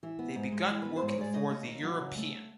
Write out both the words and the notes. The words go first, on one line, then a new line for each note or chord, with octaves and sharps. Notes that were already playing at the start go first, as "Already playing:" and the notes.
They began working for "The European".
E3 E5
B3
G#2
G#3
E3
B3 B4
C5
G#2
C#5
G#3 D5
C#3 D#5
A3
D#2
F#3
C#3
A3